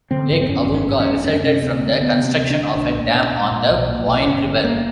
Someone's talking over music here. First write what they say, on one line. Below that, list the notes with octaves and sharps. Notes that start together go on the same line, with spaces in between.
Lake Awoonga resulted from the construction of a dam on the Boyne River.
D3 C4
G#1
C4
F#2 C#4
G#1
C#4
G#1
C#4
F#2
D2 C#4
D4
C3 C#4
D2 C4
D2
D2 B3
C3
C4
D2
D4
D2
B1 D4
A#2
A#2
A#2
A#2
B1
A#2
B1
G1 C#4
G1
G1 A#3